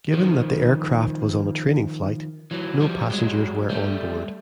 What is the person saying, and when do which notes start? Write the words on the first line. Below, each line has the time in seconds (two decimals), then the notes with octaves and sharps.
Given that the aircraft was on a training flight, no passengers were on board.
0.13 D#3 F3
2.51 E3 F#3
2.81 F3 G3
3.10 F#3 G#3
3.69 G3 A3